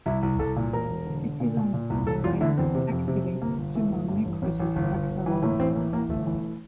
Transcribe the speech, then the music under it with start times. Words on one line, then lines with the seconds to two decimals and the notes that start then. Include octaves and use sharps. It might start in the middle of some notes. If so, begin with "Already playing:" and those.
It is on the pathway that activates tumor necrosis factor-alpha.
0.06 C2 E4
0.23 C2
0.39 C2 A4
0.56 A#2
0.73 E1 A#4
0.90 E1
1.06 D3
1.23 D3
1.40 A#2
1.57 A#2
1.74 A#2
1.90 C2
2.07 E1 A4
2.24 E2 F4
2.41 D3 E4
2.58 E2 C4
2.75 C3
2.92 F2
3.08 C3
3.24 C3
3.42 G1 A#3
3.58 G1
3.75 E3 A3
3.92 G1
4.09 G2
4.26 A1
4.42 A1
4.59 A1
4.76 G1
4.93 G1
5.09 G1
5.26 E3
5.42 A2 A#3
5.59 A1 C4
5.76 E3 A#3
5.93 A1 A#3
6.10 G1 A3
6.27 E3